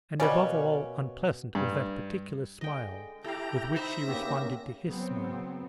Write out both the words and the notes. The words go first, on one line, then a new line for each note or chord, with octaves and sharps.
And, above all, unpleasant was that particular smile with which she responded to his smile.
B2 G3 A#3 C#4 D5
G2
D3 G#3 D#5 G5
E4 G4 A4 F5 G5 A5 A#5
D#4 C5 E5 B5 A#6
C#3 A#3 B3 C#4 G4
C#3 F#3 B3 C4